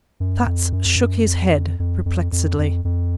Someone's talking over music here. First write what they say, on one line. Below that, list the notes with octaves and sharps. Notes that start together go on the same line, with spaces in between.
Platts shook his head, perplexedly.
F#2
F2
F#2
F2
F#2
F2
F2
F2
F2
F2
F2